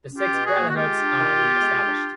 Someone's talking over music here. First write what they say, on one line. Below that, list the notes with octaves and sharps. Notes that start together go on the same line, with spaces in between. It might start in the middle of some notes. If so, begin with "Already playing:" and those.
The six brotherhoods are reestablished.
C#4
F4 G4
B2
F#4 G#4
A#3
F#4
G#3 F4 G4
D4
D#3
B3
G#3
D4